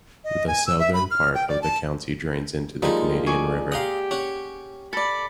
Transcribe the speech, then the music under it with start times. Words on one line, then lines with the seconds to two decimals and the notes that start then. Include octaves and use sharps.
The southern part of the county drains into the Canadian River.
0.24 D#5
0.47 G#5
0.67 E6
0.79 E5
0.94 B5
1.11 F6
1.35 G5
1.49 D5
1.62 A5
2.82 F3 G3 G#3 A#3 D#4
3.27 G#4 D5 C#6
3.72 G4 F5 F#5 A#5 C6 D#6
4.11 C#4 F#5
4.93 A4 D5 B5